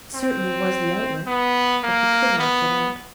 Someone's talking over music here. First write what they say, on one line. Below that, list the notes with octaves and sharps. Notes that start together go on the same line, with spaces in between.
It certainly was the outlet, but he could not get out.
C4
B3
A#3
B3